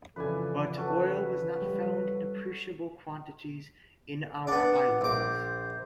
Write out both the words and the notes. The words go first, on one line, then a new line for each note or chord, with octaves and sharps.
But oil was not found in appreciable quantities in our islands.
F2 C#3 E3 A4 B4 D5 G#5
C#4 F#4 A4 B4
G3
B3 D4 F#5
A#1 C5 D6